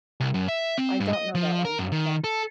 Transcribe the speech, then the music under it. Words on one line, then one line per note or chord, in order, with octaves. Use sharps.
I don't know that one, okay.
C2
F#2
E5
C4
G2
D#5
F3
A#4
F#2
D#3
A4